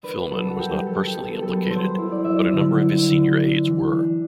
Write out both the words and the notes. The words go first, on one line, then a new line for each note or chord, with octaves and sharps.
Filmon was not personally implicated, but a number of his senior aides were.
D4 B4
F#3 A4
F#4
F#3 G4
F#3 A4
G4
B3
A4
F#3 A4
B4
F#3 C5
E4
D5
F#3 E5
D5
D3
E4
D3
D4
E3
D4